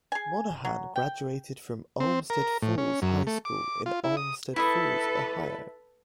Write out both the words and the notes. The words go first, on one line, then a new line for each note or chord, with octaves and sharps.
Monahan graduated from Olmsted Falls High School in Olmsted Falls, Ohio.
G#4 G#5
F#3
G5
C4
A#4
A2
C#4
F#2
A3
D6
F4
E4
D#6
E4 A4 B4 E5 D#6